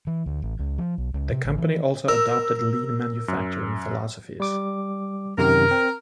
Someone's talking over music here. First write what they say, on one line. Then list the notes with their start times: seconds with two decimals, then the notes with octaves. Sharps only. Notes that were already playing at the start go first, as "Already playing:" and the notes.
The company also adopted lean manufacturing philosophies.
0.07 E3
0.26 D2
0.42 A1
0.59 C#2
0.78 F3
0.98 B1
1.14 C#2
1.31 C3
1.45 A1
1.58 E3
2.08 A#4 E6
3.28 F#2
4.40 G3 D6
5.38 F#2 C3 D#3 A#4
5.71 C4